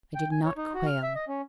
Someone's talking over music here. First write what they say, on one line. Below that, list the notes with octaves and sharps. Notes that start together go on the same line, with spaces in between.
I did not quail.
G5
G#5
C#5
D#4
F#4
F6
E5
D#5
C#4